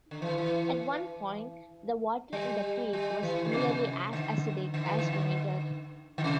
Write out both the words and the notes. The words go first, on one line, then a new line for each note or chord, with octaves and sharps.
At one point, the water in the creek was nearly as acidic as vinegar.
D3
E3
E3
G3
G3
E3
D3
C3
D3
D3
E3
D3
D3
C3